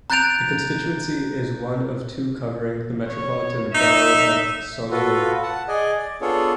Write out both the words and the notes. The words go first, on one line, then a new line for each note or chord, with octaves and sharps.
The constituency is one of two covering the Metropolitan Borough of Solihull.
A#5 F#6 G6 A6 D7 F7
C#5
D#4 E5
F4 F#4 A4 B4
F#5 A5
G#4 D5 D#5 G#5
D5
B3 D4 F4 G#4 A4 C#5